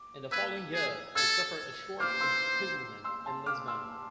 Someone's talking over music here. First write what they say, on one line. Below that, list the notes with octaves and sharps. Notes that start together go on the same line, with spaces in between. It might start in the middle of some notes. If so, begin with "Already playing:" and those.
In the following year he suffered a short imprisonment in Lisbon.
Already playing: D6
B4 E6 G#6
G#4
A4 E6 G#6
C5 D6 F6
C6 E6
C6 E6
A5 C6
D6 F6
C6 E6